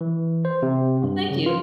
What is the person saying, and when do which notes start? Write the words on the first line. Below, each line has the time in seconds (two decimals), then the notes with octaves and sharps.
Oh, thank you.
0.01 E3
0.45 C5
0.63 C3
1.03 G2
1.31 C#3
1.46 F4